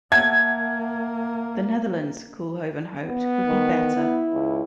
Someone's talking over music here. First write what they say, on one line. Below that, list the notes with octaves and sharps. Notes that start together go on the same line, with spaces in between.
The Netherlands, Koolhoven hoped, would be better.
A#3 E5 F#5 A5 G#6
B3
D#3
E4
C#2